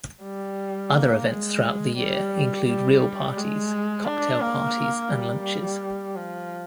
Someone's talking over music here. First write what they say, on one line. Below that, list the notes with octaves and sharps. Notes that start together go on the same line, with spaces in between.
Other events throughout the year include reel parties, cocktail parties and lunches.
G3
A#3
G#3
G3
G3
G#3
D4
A#3
G3
F3